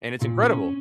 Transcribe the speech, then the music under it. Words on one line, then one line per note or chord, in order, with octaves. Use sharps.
And it's incredible.
A#2
C#4